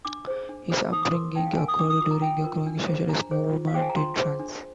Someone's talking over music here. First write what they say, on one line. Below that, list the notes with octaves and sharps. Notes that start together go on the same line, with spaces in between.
His upbringing occurred during a growing socialist movement in France.
D4 D6
G#4 C5
D4
G#4 C5
D#4 D#6
D6
A#4 C6
D#4 G5
F5
A#4 G#5
D#6
D4 D6
D#6
F4 A#4 D6
A#5
D4 G5
F4 A#4
D4
G#4 C5
D4 A#5
G#4 C5
F4
F5
G#4 C5 G5
G#5
A#5
F4 C6
G#4 C5
D4